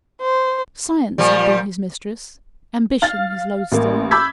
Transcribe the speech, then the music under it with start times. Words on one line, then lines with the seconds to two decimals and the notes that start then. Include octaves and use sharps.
Science had been his mistress; ambition his lode-star.
0.21 C5
1.18 A#2 F3 G3
3.02 F5 F6 A6
3.72 A1 A#3
4.11 B5 D6 E6 G6 G#6 B6